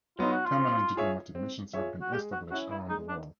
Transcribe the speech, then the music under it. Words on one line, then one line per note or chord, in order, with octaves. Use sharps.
Permanent diplomatic missions have been established around the world.
F#3 B3 D#4 F4
F#4
F4
C4
F4 G#4 C#5 E5
C4
F4 G#4 C#5 E5
F#4
G#3 G4
F#4
C#4 E4 F#4
E4
G#3 D#4
D4